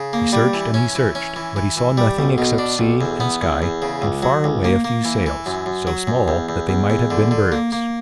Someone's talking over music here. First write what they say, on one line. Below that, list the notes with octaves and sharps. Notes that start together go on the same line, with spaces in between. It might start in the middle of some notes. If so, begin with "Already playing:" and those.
He searched and he searched, but he saw nothing except sea and sky and far away a few sails, so small that they might have been birds.
Already playing: C#3
A#3
G3
E3
C#4
E3
C#4
E3
E3
E3
G3
B1
B2
D4
B1
E2
B3
E2
E2
C#3
C#2
F#3
C#2
A#3
A#3
E3
E3
F#2
F#2
F#3
F#2
E2
E2
E2
E2
D3
D3
A#3
A#3